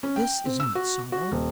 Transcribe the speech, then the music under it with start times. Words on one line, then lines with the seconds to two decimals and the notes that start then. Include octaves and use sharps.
This is not sorrow.
0.03 C#4
0.16 G5
0.46 C4
0.60 E6
0.75 F#4
1.12 F#4
1.32 D#1